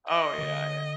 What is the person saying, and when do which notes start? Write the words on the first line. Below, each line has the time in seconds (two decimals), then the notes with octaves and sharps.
Oh yeah yeah.
0.08 D#5
0.38 D#3
0.43 D3